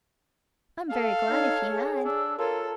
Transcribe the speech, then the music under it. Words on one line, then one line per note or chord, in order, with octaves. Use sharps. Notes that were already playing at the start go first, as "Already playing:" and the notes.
I am very glad if you had.'
A4 F5
D#4 C#5
G#4
D4 E6
F4 A4 A#4 C#5